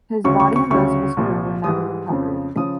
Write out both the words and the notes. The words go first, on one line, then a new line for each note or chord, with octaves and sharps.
His body and those of his crew were never recovered.
D2 C#3 F#3 C#6
C#6
C#6
D2 C#3 F#3 C#6
C2 A#2 F3
G#2 E3 G3 D#6
F2 C#3 F3
C#3 F3 D#6